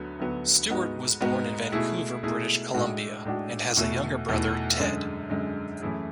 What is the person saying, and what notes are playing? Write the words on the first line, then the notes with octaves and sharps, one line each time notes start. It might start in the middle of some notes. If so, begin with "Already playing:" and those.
Stuart was born in Vancouver, British Columbia, and has a younger brother, Ted.
Already playing: D2 D3 F#3 B3
D2 D3 F#3 B3 F#4
G#2 G#3 B3 F#4
G#2 G#3 B3 F#4
B2 A3 E4 G#4
B2 A3 E4 G#4
A2 G#3 D4 F#4
A2 G#3 D4 F#4
E2 B2 A3 E4
E2 B2 A3 E4
F#2 D3 G#3
F#2 D3 G#3
F#2 E3 A3 E4 G#4